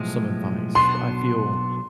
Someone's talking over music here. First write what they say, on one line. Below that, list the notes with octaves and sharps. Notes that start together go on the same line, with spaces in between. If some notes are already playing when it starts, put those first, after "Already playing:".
some advice, I feel
Already playing: B1 A2 F3 G#3
B1 B2 B3 D4 C6